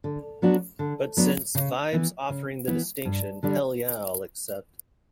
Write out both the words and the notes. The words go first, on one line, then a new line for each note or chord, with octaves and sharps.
But since "Vibe"s offering the distinction, hell yeah I'll accept!
D3
F#3 B3 D4 F#4
D3
F#3 B3 D4 F#4
C#3
E3 B3 E4
C#3
E3 B3 E4
G2
D3 G3 D4